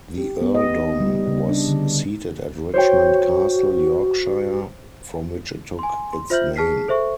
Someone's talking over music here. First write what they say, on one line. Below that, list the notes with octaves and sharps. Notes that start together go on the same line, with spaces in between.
The earldom was seated at Richmond Castle, Yorkshire, from which it took its name.
G4
B3
D#5
D#4
G3
C#3
D4
D3
F#4 C5 C#5 G5
G#5 C6
C6
F4 C5 E5 F6 G6 F#7
G#4 A5 F6 B6 C7
A4 C5 E5 C#6